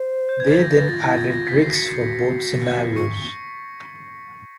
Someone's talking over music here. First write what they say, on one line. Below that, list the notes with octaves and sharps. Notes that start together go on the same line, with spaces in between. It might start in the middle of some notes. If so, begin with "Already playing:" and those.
They then added rigs for both scenarios.
Already playing: C5
G6
G#6
A6
A#6
B4 A#6
F4 A6
E4
F4 G#6
A#6
B6
F#4 C7
C#7
C7
F4 C#6 C#7